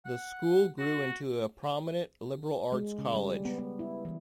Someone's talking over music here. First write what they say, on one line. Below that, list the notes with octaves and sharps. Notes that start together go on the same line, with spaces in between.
The school grew into a prominent liberal arts college.
F#5
F#4
G#3
C#3
G3
B3
B3
E4
E3